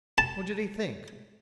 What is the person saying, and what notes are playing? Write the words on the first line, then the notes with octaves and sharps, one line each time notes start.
What did he think?
A5